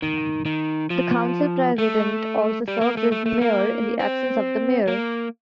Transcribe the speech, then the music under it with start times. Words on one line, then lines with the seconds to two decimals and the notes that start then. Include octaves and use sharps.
The council president also serves as mayor, in the absence of the mayor.
0.02 D#3
0.46 D#3
0.90 F3
1.78 A3
2.68 G3
2.81 A#3
2.97 A3
3.12 A3
3.26 A3
3.41 A#3
4.00 C4
4.88 A#3